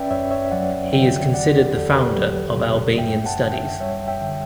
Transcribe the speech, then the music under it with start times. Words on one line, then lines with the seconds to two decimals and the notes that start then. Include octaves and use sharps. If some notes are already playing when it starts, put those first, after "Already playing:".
He is considered the founder of Albanian studies.
Already playing: C#4 B4 D5 E5 G5
0.10 F#2 C#5 E5
0.31 C#5 E5
0.45 E5
0.51 F#3 D5 F#5
0.92 D3 E5 G5
1.33 E2 D5 F#5
1.55 G4
1.75 E2 A4
1.95 G4 B4
2.16 F#3
2.57 B2
2.98 F#2 E5 G5
3.26 F#5 A5
3.39 F#2
3.53 E5 G5
3.80 G3 C#5 E5
4.08 E5 G5
4.21 D3